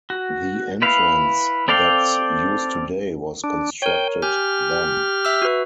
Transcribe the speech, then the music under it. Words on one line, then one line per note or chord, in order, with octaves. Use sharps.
The entrance that's used today was constructed then.
F#4
E4 B4 F5
C4 A4 D5 F5 G5
D4
A#4 C#5 G5
G4 G#5 F6
E5 E6
F#4 B4